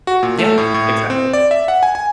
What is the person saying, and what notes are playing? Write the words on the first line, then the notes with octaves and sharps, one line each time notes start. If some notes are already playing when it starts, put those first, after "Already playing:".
Yeah, exactly.
F#4
A#2
A3
A2
A2
C4
D5
E5
F#5
G#5
G#5